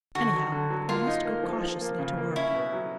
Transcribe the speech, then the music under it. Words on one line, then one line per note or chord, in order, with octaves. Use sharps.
Anyhow, we must go cautiously to work.
D3 F#4
F#3
D3
F#3
A#3 F4
D#4
A#3
F3
F3
A#3
C#3
A#3
C#4 E4
B2
F#3